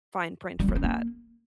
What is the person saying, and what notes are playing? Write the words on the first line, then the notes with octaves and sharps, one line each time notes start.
fine print for that.
G3
A#3
C4
A#3